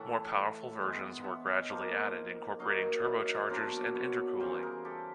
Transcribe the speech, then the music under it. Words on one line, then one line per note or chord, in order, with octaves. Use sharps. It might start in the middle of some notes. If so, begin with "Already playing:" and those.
More powerful versions were gradually added, incorporating turbochargers and intercooling.
Already playing: A2 E3 A3 E5 F#5
E3 G#3 B3
E5 F#5
D#5 F5
F3 A#3 D#4
D#3 F#3 A#3 D#4 D#5 F5
C#5 D#5
D5 E5
D#5 F5
D5 E5
B2 F#3 A#3 D4 A#4 C5
B4 C#5
C#3 E3 G3 A#4 C5
G#4 A#4
G4 A4